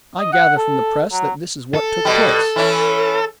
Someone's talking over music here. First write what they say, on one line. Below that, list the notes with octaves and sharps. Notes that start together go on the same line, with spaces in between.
I gather from the press that this is what took place.
D#5
F#5
A4
F#3
A4
B2 G3
E3 C#4 E4